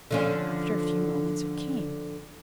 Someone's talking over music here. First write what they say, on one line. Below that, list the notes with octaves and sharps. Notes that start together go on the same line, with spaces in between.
After a few moments it came.
D3 F3 C#4